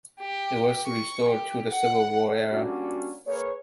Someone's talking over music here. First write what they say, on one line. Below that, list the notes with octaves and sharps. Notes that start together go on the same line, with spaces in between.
It was restored to the Civil War era.
G4
C#6
G4
F#5
G3 A#3 C#4 D4 F#4
A#3 G#4 A#4 B4 C#5